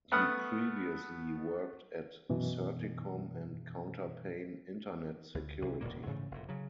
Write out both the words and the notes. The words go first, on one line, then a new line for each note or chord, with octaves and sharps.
He previously worked at Certicom and Counterpane Internet Security.
A3 B3 F#5 B5 D#6 F6
F#2 B2 E3
D2
C2
E1 D2 A#2 A#3
G#2 C#3 E3 A3
F1 A#2
C#3 F#3